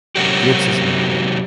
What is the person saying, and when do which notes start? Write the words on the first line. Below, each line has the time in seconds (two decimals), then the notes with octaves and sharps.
Gibbs is married.
0.16 C3 F#3 A#3 C#4 F#4 G4